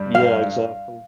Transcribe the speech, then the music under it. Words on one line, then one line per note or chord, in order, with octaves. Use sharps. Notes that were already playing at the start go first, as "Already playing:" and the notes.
Yeah, exactly.
Already playing: G2 G3
F5